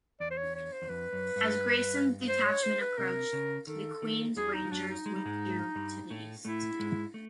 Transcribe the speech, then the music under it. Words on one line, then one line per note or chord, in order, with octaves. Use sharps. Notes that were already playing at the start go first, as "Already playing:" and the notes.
As Grayson's detachment approached, the Queen's Rangers withdrew to the east.
E2 D5
C5
C#5
C#5
C5
E2
F2 B4
F#2
G2
C5
C#5
C5
B4
C3 A#4
C#3
D#3 A4
D#3
E2 E3 G#4
D#4
F3
F#2 F#3 D4
D#4
G#3
G3
G#2 G#3
G2 G3
A2 A3
A2 A3 E4
G#2 G#3
A3